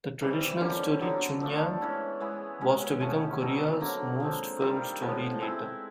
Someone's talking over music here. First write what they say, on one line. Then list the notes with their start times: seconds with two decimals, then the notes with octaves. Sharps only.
The traditional story, "Chunhyang", was to become Korea's most-filmed story later.
0.21 C3 E3 G3
0.60 D3 G3 A#3 C#4
1.01 D3 F#3 B3
1.41 F3 A3 D4
1.81 E3 G#3 C#4 E4
2.20 G#3 B3 E4 G#4
2.61 B2 G#3 C#4
3.00 F3 A3 C#4 E4
3.40 B2 G3 C4 D#4
3.80 D3 F#3 A#3
4.20 F3 G#3 C4
4.61 D#3 G3 C4 F4
5.00 A2 F3 G#3 B3
5.41 G#3 C4 E4